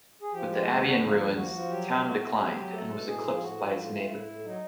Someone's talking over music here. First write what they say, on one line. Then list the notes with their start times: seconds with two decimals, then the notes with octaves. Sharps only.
With the abbey in ruins, the town declined and was eclipsed by its neighbour.
0.22 G#4
0.33 F3 G4
0.50 G#3 G4
0.67 D#2 F#4
0.76 G4
0.84 D3 F#4
1.02 F3
1.18 D#2
1.36 F3 F#4
1.53 F3
1.70 F#3 G4
1.87 B2
2.04 A3 F#4
2.21 A3
2.38 F#3 G4
2.56 F#3
2.72 A3 A4
2.90 B2
3.07 A2 G#4
3.24 F3
3.35 F4
3.41 A2 F#4
3.58 F3
3.75 A2 F4
3.93 A3
4.10 A2 E4
4.27 A2
4.44 F#3 D#4